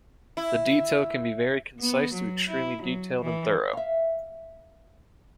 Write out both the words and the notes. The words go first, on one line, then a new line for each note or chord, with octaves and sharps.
The detail can be very concise to extremely detailed and thorough.
E4
B3
F#3
E4
F#3
E3
E5 F5